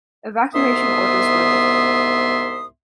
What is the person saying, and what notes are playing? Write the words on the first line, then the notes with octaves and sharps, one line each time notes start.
Evacuation orders were lifted.
C2 G#2 B3 E5 C6 D#6